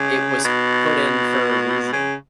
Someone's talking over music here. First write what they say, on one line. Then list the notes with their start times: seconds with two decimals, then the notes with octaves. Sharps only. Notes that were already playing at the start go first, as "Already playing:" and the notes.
it was put in for a reason.
Already playing: C#3
0.44 B2
1.92 C#3